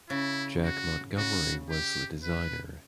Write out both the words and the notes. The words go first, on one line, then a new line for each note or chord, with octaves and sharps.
Jack Montgomery was the designer.
C#3 E4
F#4
C#3 F#4
G4
B4